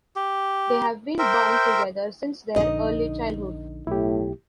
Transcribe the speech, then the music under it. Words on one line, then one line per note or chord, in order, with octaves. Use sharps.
They have been bound together since their early childhood.
G4
A#4 C5 E5 G5
A#1 D3 D#4 D#5
B1 A2 E4 G4